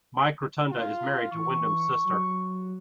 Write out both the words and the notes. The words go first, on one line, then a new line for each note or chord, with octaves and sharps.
Mike Rotunda is married to Windham's sister.
F4
E3 C#6
F#3